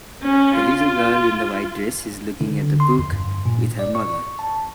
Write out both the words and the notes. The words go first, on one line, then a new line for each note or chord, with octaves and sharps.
The little girl in the white dress is looking at a book with her mother.
C#4
F4
D3
C6
F2
G2
A#2
D5
C#6
A5